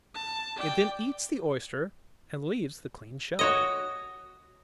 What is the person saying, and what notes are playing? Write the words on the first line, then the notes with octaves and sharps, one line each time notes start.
It then eats the oyster and leaves the clean shell.
A5
D5 G5
F#4 C#5 D#5 D#6